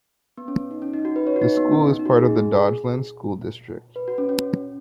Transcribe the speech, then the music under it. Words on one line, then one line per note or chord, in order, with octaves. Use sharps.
The school is part of the Dodgeland School District.
B3
C#4
D#4
C#4
D#4
F#4
B4
C#5
F#4
D#4
B3
C#4
D#4
F#4
G#4
B4
F#4
C#4
C#4